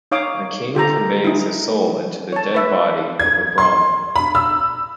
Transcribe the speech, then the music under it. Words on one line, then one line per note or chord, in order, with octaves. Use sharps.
A king conveys his soul into the dead body of a Brahman.
D#4 C#5 F5 D6 D#6
F4 G4 A4 A#5
D#4 E4
C#5 A5
B4 E5
G#6
C6
B5
E6